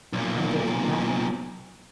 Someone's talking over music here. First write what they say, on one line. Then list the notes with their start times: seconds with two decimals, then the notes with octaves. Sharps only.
'I gave her nothing.
0.13 B1 A#2